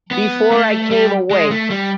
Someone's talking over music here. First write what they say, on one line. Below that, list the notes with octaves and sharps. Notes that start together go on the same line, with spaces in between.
Before I came away.
B3
A3
G3
G#3
A3
G3